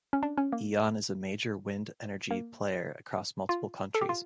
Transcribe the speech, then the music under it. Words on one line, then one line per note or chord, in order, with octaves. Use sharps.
Eon is a major wind energy player across multiple countries.
C#4
D4
C#4
A#3
A#3
F4
A4
G4
F4